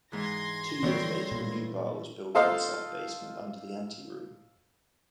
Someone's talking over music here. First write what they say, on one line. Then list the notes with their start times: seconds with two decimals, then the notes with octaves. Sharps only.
Two years later, a new bar was built in the sub-basement under the Ante-Room.
0.12 G#2 E3 C6 G#6 A#6
0.83 G2 D3 E3 F3 A3 B3 C#5 G5
1.32 A#2 A#3
2.35 F4 A4 C5 D#5 F5